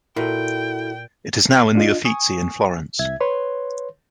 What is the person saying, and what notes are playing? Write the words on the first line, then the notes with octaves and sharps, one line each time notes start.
It is now in the Uffizi in Florence.
A#2 E4 F#4 A4 G5
D4 F4 D#5
G#5 C#6 D#6
C2 E5 G#6
B4 C#5 C6